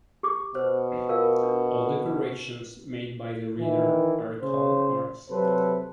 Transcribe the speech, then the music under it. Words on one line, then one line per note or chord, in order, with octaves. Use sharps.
All the corrections made by the reader are called marks.
G4 D6
B2 B4 C5
F4 A#4 F5
D4
B4
D#3 E3
C#3 C5
C3 F#3 A4 B4 C5